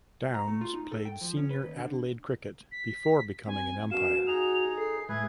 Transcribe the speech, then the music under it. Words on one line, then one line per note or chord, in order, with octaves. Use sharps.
Downs played senior Adelaide cricket before becoming an umpire.
C2
A#5
A3
F4
D#4
A4
G5
F3
C#4
B4
D#2
D3
B6
C4 G#5
F#2 B2 F#4 F5 E7
D#4 G#4 F7
A4 C7
A2 G#3 E4 G#4 B4 G#6